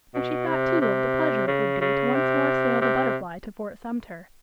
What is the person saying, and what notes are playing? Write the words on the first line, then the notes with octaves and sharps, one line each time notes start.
And she thought, too, of the pleasure it would be to once more sail the Butterfly to Fort Sumter.
B2
C3
C3
C#3
C#3
C3
C3